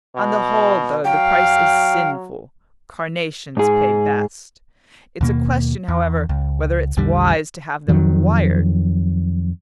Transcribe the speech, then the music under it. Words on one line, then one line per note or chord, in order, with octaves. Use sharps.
On the whole, though the price is sinful, carnations pay best;--it's a question, however, whether it's wise to have them wired.
B2
F#3 F5 G5
G#2 G#4
D#2 B2 A#3
E2
C#2
A#1 E2 D3 G3
F2 D#3 F#3